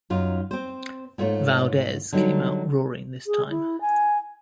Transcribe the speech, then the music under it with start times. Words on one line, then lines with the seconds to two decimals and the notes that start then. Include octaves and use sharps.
Valdez came out roaring this time.
0.10 F#2 D#4 F4
0.51 C4 C5
1.18 G#2 A3 F4 C5 C#5
2.12 D3 F#3 G3 D#4
3.27 G#4
3.50 E4
3.81 G#5